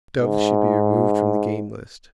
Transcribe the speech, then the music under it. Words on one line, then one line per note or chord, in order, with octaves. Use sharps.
Doves should be removed from the game list.
G#2